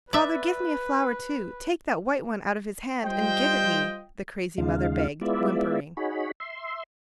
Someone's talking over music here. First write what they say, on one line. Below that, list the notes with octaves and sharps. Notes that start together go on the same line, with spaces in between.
"Father, give me a flower, too; take that white one out of his hand and give it me," the crazy mother begged, whimpering.
B4 D5 E5
G3 F4 C5 D#5 G5
D#2 C#3 G#3 D#4 F4 F5
G#3 B3 E4 F4 D5 E5
D#4 F#4 G#4 C#5 B5
E5 C6